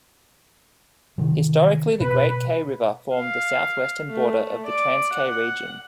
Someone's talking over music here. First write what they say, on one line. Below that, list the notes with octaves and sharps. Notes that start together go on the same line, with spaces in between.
Historically the Great Kei River formed the southwestern border of the Transkei region.
C3 D#3 E3
B2 B4
F5
A3
D5
F#5